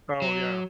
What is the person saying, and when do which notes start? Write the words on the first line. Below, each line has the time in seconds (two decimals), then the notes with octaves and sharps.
Oh, yeah.
0.22 F#3